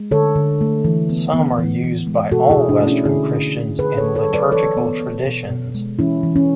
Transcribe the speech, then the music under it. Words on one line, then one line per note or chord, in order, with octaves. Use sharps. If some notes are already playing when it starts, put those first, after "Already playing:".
Some are used by all Western Christians in liturgical traditions.
Already playing: G#3
D3 A4 C#5
D3
A3
E3
B3
B3
E3
E3
G#3
B2 F#4 A4
E4 G#4
B2
D4
A3
C#4 E4
D3 E4 G#4
D3
A3
D3 G#4 B4
A4 C#5
D3
A4 C#5
F#3
B4 D5
E3 A4 C#5
B3
B3
B2
B2
G#3
E3 C#4 E4
E3
C#4